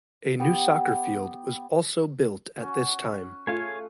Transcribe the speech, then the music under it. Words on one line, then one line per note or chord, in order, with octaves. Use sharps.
A new soccer field was also built at this time.
B3 G4
C#4 F#4
A3 F4 G#4 C#5 F5